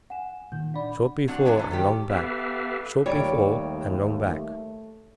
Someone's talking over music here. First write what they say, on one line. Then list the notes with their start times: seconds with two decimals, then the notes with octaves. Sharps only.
"Short before, and long back, Short before, and long back."
0.10 F#5 G#5 E7
0.52 A#2 D#3 G6
0.74 D4 D5 F#5 B5
1.28 F#3 C4 D4 F#5
1.45 C3 F#3 D4 F4 A#4
1.57 E3 A3 A4
1.71 D#3 G3 G4 G5
2.10 B3 G4 A4 B4 E5 F5
3.06 D#2 G3 A3 C#5 D7